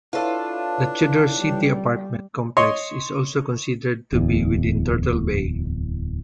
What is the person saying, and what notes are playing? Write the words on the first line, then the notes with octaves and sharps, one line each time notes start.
The Tudor City apartment complex is also considered to be within Turtle Bay.
D4 E4 F4 A4 B4 C#5
G3
C#5 D#5 C6
D1 E2